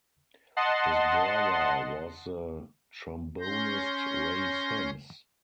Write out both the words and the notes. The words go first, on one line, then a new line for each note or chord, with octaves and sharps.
His brother was the trombonist Ray Sims.
D#5 F#5 A5 C6
C#4 C6 G6 A#6